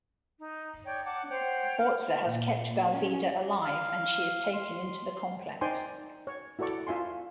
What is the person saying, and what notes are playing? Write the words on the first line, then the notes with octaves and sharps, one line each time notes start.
Horza has kept Balveda alive, and she is taken into the complex.
D#4
C#5 D5 G5
F#5 A5 D6
C5 C#5 F#5 G5
F6
A#2
C#4
F5
C6
D#4 C5 D5 G5 G#5 C6
C#5
E4 F#4 A4 D5 C#6
F4 E5 G#5 C6